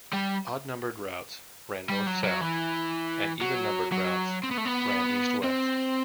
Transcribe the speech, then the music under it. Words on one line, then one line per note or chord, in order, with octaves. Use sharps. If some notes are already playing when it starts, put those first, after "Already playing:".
Odd-numbered routes ran north-south and even-numbered routes ran east-west.
G3
G3
F#3
F#3
E3
F#3
F#3
C4
B3
A3
B3
C4